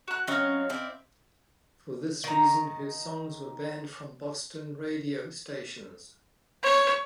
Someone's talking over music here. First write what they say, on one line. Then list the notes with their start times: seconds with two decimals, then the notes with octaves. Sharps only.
For this reason, her songs were banned from Boston radio stations.
0.08 F#4 F#6
0.27 F#3 C4 C#4 D#5 F5
0.69 C4 E4 D5
2.24 D#3 A#5
6.63 C#5